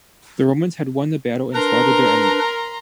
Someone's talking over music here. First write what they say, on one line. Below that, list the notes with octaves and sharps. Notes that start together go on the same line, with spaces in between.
The Romans had won the battle and slaughtered their enemy.
D4 A#4 B4 A#5 C6